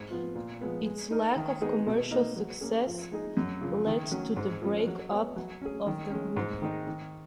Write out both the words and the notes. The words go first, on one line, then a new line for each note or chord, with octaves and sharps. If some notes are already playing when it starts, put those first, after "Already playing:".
Its lack of commercial success led to the break up of the group.
Already playing: G#2
F3 B3 F4
A#2
F3 G#3 B3
G#3
D#4 A#4
D#3
G#3 B3 D#4 G#4
B2
A#3 D#4 A#4 D#5
F#3
A#3 C#4 G#4
F3
G#3 D#4 G#4
F#2
C#3 F3
D#3
F#3 C#4
G#2
F3 G#3 C#4
F#3
B3 F#4 C#5
F#3
C#4 G#4
D#3
G#3 C#4
G#2
D#3 G#3 D#4
D#3